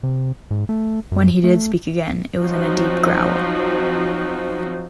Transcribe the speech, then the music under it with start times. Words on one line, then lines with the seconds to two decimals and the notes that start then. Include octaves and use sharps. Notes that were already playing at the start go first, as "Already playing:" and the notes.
When he did speak again, it was in a deep growl.
0.03 C3
0.51 G#2
0.69 A3
1.12 F#2
1.44 A3
2.40 F3 F#3 C4 D#4 F#4